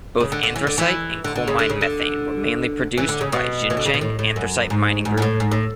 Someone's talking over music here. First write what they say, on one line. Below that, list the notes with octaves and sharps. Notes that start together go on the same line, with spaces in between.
Both anthracite and coal mine methane were mainly produced by Jincheng Anthracite Mining Group.
C#3
D3
D3
E3
D3
E3
D3
D3
C#3
D3
C#3
D3
E3
D3
C#3
B2
E3
D3
C#3
B2
A2
A2
F#2
G#2
G#2
G#2
A2
G#2
A2